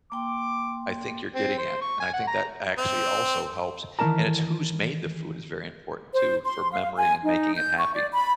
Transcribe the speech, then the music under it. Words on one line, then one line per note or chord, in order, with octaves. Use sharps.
I think you're getting at, and I think that actually also helps, and it's who's made the food is very important too, for memory and making it happy.
A#3 G5 C6 D6
C4
C5
C#6
G#5
F#5
A#5
C4
D#3 E3 A#3 A#4 A5 A#5
C5
C6
F5
G#5
D#4
G6
C#6
D5
B5